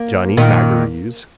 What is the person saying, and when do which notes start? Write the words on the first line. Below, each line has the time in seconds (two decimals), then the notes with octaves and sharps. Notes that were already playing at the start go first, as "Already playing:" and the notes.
Johnny Magories.
Already playing: A#3
0.37 A#2 D#3